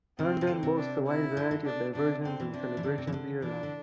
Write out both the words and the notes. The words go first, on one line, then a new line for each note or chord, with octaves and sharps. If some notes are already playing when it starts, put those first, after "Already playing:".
Herndon boasts a wide variety of diversions and celebrations year round.
C3 C4
C3
D3
C3
D4
E4
D3
D3
D4
C3 D4
D3 C4
E3
C3 D4
E3
D3
C3
E3
D3
E3 D4
D3